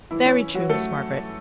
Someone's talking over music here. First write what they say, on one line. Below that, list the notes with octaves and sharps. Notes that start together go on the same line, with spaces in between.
'Very true, Miss Margaret.
E3 E4
C#4
C#4
F#3 F#4
A3 A4